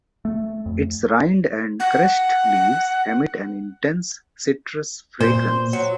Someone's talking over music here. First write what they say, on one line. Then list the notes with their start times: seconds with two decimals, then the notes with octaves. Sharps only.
Its rind and crushed leaves emit an intense citrus fragrance.
0.25 A3
0.66 F2
1.80 F#5
5.20 A#2 C5
5.73 F#3